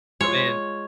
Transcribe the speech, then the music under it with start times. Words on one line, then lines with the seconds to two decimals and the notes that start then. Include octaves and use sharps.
I mean,
0.21 G#3 F4 C#5